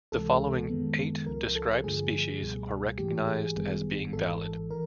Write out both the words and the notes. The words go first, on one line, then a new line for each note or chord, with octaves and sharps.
The following eight described species are recognized as being valid.
C#2 C3 E3 G#3 A4
F#2 D#3 G#3 B3
C#2 C#3 F3 A#4
A4
G2 D3 F3 A3 G#4
C#2 B2 G3
G#2 E3 A3 G4
G#4
G1 F#2 D#3 G3 B3
G#1 G#2 E3 A4
A4
E3 A#4